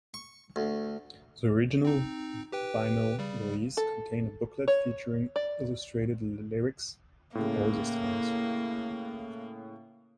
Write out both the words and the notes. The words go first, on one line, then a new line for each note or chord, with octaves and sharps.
The original vinyl release contained a booklet featuring illustrated lyrics to all the songs.
C#6
D2
C4 D#4
G4 B4 G5
C#3 G3
A4
C#5
D5
A2 C#3 A#3